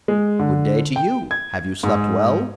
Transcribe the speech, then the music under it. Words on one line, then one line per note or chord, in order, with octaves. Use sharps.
"Good-day to you; have you slept well?"
G#3
D3
G5
G#6
G#2